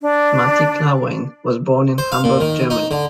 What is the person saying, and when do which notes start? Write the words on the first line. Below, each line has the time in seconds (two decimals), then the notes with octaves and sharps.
Mati Klarwein was born in Hamburg, Germany.
0.02 D4
1.98 C5
2.12 F5
2.24 A#2
2.40 D#3
2.70 D#4
2.91 D3